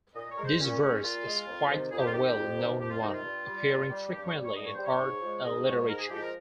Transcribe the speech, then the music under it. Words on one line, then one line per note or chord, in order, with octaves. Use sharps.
This verse is quite a well known one, appearing frequently in art and literature.
A#2 D#5
C#5
G#3 A#4
C5
A#2 C#4
G#3 C#4
A#2 F4
G#3
F2
C3 D#3
F2 G#4
G4
F4
C3 D#3 G4
F2
C3 D#3
F2 G4
F4
C3 D#3 D#4
F4
G2
G3
G2
G3
G2 G4
C#5
G3
C#5
G2 D#5
C#5
G3 C5
C#5
G#2
F3 G#3
G#2 D#5
F3 G#3 C#5
G#2 A#4
G#4
F3 G#3 G4
A#4